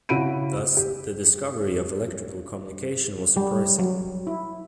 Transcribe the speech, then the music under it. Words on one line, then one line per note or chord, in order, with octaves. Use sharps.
Thus, the discovery of electrical communication was surprising.
C#3 E4 F#4 B5 D7 D#7
G4
G3
F#3
E4